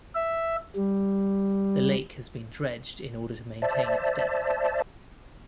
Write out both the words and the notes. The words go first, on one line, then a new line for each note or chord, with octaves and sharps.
The lake has been dredged in order to maintain its depth.
E5
G3
C5 D5 E5 A5